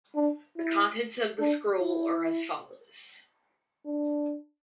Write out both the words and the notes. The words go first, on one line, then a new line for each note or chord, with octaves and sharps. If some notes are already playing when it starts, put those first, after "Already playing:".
The contents of the scroll are as follows.
D4
E4
D4
E4
D4